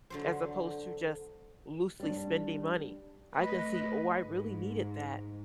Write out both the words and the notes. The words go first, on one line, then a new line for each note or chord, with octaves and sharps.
as opposed to just loosely spending money. I can see, "Oh, I really needed that,"
D3 F#3 C5
G3 D4
A3 B4 D#5
G#2